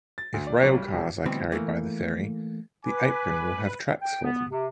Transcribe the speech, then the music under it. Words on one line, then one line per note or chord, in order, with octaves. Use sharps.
If railcars are carried by the ferry the apron will have tracks for them.
A6
D2
D5
B1
G3
E1
D2 B2 E3 G3 C4
E3 A3 A#3
B4 G#5 D6
G5
B3
C3